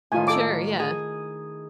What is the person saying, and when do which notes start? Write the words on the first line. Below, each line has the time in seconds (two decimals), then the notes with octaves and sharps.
Sure, yeah.
0.12 A2 D#3 F4 G#5
0.28 A4 D6
0.79 G#4